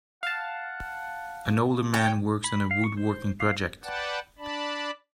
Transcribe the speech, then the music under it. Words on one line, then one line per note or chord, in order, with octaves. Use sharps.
An older man works on a woodworking project.
F5 F#5 A5
C#5 G5
B5
F5
C#6
C5
F5
B4 D5 F#5 G5 A5
D4 D5 A5 B5